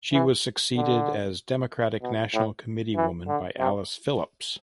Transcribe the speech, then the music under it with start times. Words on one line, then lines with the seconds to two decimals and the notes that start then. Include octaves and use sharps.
She was succeeded as Democratic national committeewoman by Alice Phillips.
0.13 E3
0.76 D3
2.02 B2
2.33 A2
2.96 E3
3.28 D3
3.59 C3